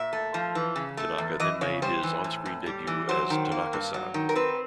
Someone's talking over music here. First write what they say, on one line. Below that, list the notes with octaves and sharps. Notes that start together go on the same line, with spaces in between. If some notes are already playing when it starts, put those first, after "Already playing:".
Tanaka then made his on-screen debut as "Tanaka-San".
Already playing: A#2 E5
A3
F3
E3
C#3
A3
E2
E3 D#5
C#3 C#5
G3 C5
E3
A2
A2
G3
E3
F#3 C5
D#3
A#3
G2
F#3
D#3
A#4
C4 B4